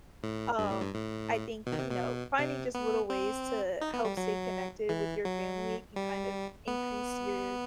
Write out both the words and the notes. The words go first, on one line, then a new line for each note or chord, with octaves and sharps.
Um, I think, you know, finding just little ways to help stay connected with your family can kind of increase your
A2
G2
A2
G2
A2
B2
D#3
C3
B2
C3
B3
C4
D#4
B3
G3
F#3
E3
F#3
G3
B3